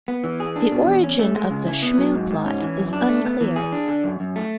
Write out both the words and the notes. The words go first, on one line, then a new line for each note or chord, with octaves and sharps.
The origin of the shmoo plot is unclear.
B3
E3
G#4
D4
B2
E2
C#4
A3
G#3
C#3
E4
B3
F#3
G#2
G#2
C#4
E3
F#2
D4
A3
B3
E3
G#4
D4
D3
F#2
F#2
A3